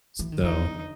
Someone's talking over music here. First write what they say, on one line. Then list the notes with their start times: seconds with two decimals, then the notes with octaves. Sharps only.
s so,
0.19 E3
0.32 D#3
0.43 D3 D#4